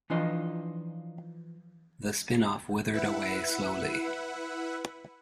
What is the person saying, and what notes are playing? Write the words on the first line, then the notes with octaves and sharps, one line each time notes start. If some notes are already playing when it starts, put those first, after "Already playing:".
The spin-off withered away slowly.
E3 F3 D4 D#4 F4 D#5
E4 B4 E5 F#5